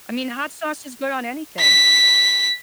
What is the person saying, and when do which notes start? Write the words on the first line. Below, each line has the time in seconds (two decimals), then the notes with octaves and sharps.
I mean, hot sauce is good on anything.
1.60 B6